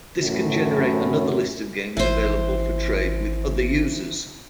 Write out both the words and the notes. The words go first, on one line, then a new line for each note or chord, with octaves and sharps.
This can generate another list of games available for trade with other users.
F#2 A2 E3 F#3
G#1 E3 C5